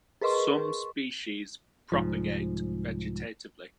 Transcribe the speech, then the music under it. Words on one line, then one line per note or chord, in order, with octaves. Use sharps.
Some species propagate vegetatively.
G#4 A#4 B4 D#5 C6 C#6
C2 G#2 F3